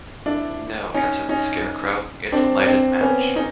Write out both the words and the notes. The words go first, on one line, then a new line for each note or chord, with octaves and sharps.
"No," answered the Scarecrow; "it's a lighted match."
D4 E4
C#4 D#4
C#4 D#4
C4 D4
C4 D4
B3 C#4
C#4 D#4